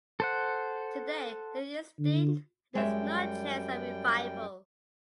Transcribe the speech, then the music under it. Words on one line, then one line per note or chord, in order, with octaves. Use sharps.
Today they are extinct and there is no chance of revival.
A4 C5 F#5
D3
F#2 G3 G#3 C#5 E5 G5